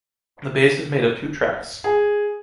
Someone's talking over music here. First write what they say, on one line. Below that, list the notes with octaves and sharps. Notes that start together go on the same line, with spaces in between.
The base is made of two tracks.
G#4